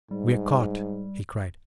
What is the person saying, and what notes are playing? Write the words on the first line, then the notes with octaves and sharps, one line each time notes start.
"We're caught!" he cried.
G#2 G3